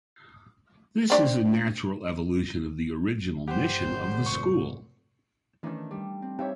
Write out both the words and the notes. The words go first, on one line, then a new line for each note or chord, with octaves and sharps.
This is a natural evolution of the original mission of the school.
C4 D4 G4
G2 G4 C5 F#5
G#1 G#2
F1 C#6
D#3 E3 A3 C#4 D4
G3 D4
C4
C4 D#4 G4 C#5 E5 F5